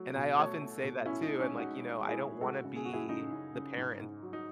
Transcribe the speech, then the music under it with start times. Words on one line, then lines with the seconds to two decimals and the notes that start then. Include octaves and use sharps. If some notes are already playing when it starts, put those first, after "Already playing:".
And I often say that, too, I'm like, "You know, I don't wanna be the parent."
Already playing: F#3 A3
0.16 B2
0.38 A3 A4 C#5
0.61 A3
0.83 B2
1.06 A2 C#4 E4
1.23 D#4
1.28 A2
1.40 C#4
1.51 G#3
1.57 D#4 F#4
1.73 G#3
1.97 G#3
2.08 E4 G#4
2.19 A2
2.41 G#3 F#4 A4
2.65 C#3
2.76 G#4
2.85 F#2 F#4
2.93 E4 G#4
3.09 C#3 D#4
3.33 C#3
3.55 C#3
3.77 G#2
4.00 G#2
4.23 F#3
4.33 D#4